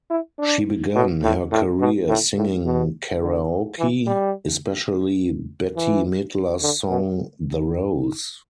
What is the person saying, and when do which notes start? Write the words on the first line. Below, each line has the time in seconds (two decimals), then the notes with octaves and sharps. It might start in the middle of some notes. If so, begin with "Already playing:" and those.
She began her career singing karaoke, especially Bette Midler's song "The Rose".
0.11 E4
0.39 D4
0.95 B2
1.23 A2
1.52 A2
1.80 B2
2.08 A2
2.37 A2
2.65 B2
3.21 D3
3.78 E3
4.07 G3
5.76 E3
6.62 D3
6.90 B2